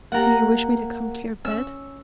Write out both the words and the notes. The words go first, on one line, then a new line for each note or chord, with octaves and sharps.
"Do you wish me to come to your bed?"
A#3 G4 F#5 A#5
C#4 E6